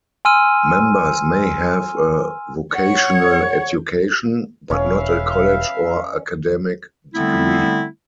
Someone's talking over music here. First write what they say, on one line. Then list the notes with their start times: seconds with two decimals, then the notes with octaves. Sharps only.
Members may have a vocational education, but not a college or academic degree.
0.25 G#5 C6 E6 F6 D#7
2.74 C#5 F#5
4.71 E1 C#4 B4 E5 F5
7.15 D3 G3 A3 B3 C4 E4